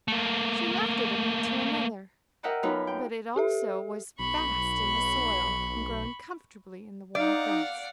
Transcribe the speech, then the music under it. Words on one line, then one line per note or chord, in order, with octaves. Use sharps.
She left it, and went to another; but it also was fast in the soil, and growing comfortably in the warm grass.
A3 A#3
A#4 D#5 E5 F#5 G5 A5
F#2 B3 D#4 F4 B4
G5
G4 A4 E5
B1 B5 C#6
D#4 D5 F5 F#5